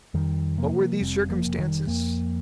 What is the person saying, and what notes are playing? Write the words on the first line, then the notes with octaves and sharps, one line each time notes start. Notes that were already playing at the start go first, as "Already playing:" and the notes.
What were these circumstances?
F2 D#3 G3
C3 F3 A#3
F1 G3 C4
F3 A#3
F1
D#3 G3
F2 F3 A#3